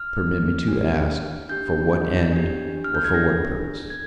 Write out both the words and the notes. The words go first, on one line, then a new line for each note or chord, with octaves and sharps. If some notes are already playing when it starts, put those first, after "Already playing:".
Permit me to ask, for what end, or for what purpose?
Already playing: F6
D4 G4
D4 G4 G6
D4 G4
F6
G6
G#6
D4 G4 A#6
G#6